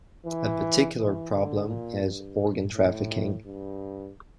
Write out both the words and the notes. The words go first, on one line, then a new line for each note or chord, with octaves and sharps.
A particular problem is organ trafficking.
E3
E3
D3
A#2
G2
A2
G2